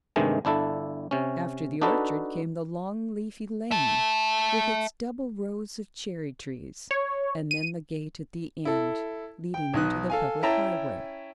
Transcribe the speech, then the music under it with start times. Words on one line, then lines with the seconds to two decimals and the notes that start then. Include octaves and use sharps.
After the orchard came the long leafy lane, with its double rows of cherry-trees, and then the gate at the end, leading into the public highway.
0.16 G2 C3 D#3 G#3 A3
0.45 G1 D4 E4 A4
1.11 C3 C#4
1.82 D4 D#4 F#4 A4 B4
3.71 E5 A5
6.91 C#5
7.51 D#7
8.65 E4 A4
9.54 G5
9.74 B1 D#4 F#6
10.10 A4 F5 G#5
10.43 C#4 E4 E5 G5 A5 A#5